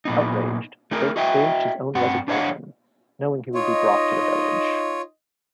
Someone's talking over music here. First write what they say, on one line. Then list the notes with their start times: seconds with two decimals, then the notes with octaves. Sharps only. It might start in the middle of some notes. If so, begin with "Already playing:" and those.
Outraged, Drake staged his own resignation, knowing he would be brought to the Village.
0.05 A#2 B3 D#4
0.91 A3 D#4 G#4 A#4
1.16 F#4 D#5 E5 G5
1.95 G2 C4 F#5
2.28 D4 C5 C#5 D#5 F5 F#5
3.55 D#4 F4 C#5 D#5